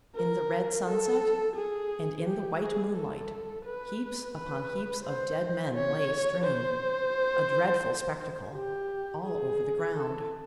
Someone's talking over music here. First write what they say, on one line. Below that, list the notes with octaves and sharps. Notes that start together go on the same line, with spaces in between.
In the red sunset, and in the white moonlight, heaps upon heaps of dead men lay strewn, a dreadful spectacle, all over the ground.
A#4
A4
G#4
G4
G#4
A4
B4
B4
C5
C#5
C5
G4
G#4
A4